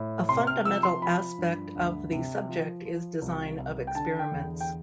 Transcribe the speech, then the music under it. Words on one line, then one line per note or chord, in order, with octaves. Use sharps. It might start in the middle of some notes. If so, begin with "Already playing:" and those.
A fundamental aspect of the subject is design of experiments.
Already playing: A2
C3 C6
F6
F3 E6
C6
F3 B5
G2
D2
C3
F3
F3
C2
C2
G5
D3 A5
G5
E2
G5